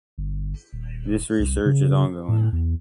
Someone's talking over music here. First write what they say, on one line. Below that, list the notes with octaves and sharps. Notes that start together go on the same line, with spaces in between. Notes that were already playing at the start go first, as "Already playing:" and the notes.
This research is ongoing.
G1
D#1
C2
C#3
A2
E2